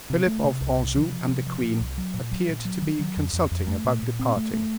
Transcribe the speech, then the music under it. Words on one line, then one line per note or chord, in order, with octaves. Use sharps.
Philip of Anjou and the queen appeared to be consulting about departing.
C3
A3
C3
C2
C3
F3
F3
C3
F3
A#2
C2
F#3
A#2
F#3
A#2
F#3
D#3
F#3
F2
F2
F2
A3
A#2
A#2
C4
A3
A3